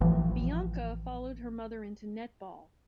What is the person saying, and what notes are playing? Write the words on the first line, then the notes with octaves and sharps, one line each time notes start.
Bianca followed her mother into netball.
A1 E3 F3